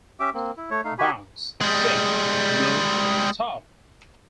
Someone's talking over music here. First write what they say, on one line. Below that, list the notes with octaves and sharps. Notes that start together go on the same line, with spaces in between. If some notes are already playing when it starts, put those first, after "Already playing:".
Bounce, Shake, Move, Stop!
C#4 G4 E5 D6
A#3 C4
E4
A3 C#5
A3 D#4 F5
F#4 G4 G#5 B5
G3 G#3